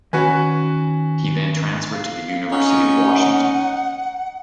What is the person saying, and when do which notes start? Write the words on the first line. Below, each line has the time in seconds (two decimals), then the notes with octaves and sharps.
He then transferred to the University of Washington.
0.13 D#3 C#4 F#4 B4 C#5 G#5
1.92 F5
2.52 C#4 D#4 F#5